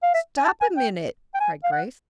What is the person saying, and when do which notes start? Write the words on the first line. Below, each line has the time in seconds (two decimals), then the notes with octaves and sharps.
"Stop a minute!" cried Grace.
0.03 F5
0.14 E5
0.38 G#5
0.45 A5
0.61 G#5
0.77 G5
1.34 G5
1.40 G#5
1.64 F5
1.72 F#5